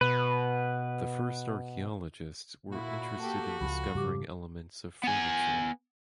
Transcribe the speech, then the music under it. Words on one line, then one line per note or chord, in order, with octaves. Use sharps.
The first archaeologists were interested in discovering elements of furniture.
B2 B4
A#2 E4 F#4
A#3 G4 A4
C#2 F3 B5
G#2 C#3 G3 G4 D6
B3 G#5